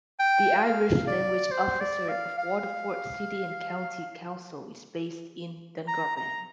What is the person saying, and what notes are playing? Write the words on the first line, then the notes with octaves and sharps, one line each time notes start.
The Irish Language Officer of Waterford City and County Council is based in Dungarvan.
G5
F5
D5
C5
D5
F5
F5
A#5
A#5